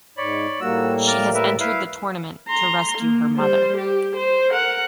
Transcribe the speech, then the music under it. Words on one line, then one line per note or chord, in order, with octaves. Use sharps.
She has entered the tournament to rescue her mother.
G#2 C#5 D5 B5
A2 G3 A#3 F#4 E6
D5 A#5 F6
A#4 B4 E5
E4 B4 F5
A#5 C6
A#3
G3 C5
G4
C5
A#4 F#5